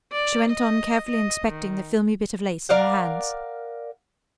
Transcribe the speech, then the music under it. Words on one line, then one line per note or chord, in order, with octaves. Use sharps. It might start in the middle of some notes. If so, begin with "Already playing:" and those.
She went on carefully inspecting the filmy bit of lace in her hands.
D5
D#5
D#5
D#3
A#4 D5 F5 F#5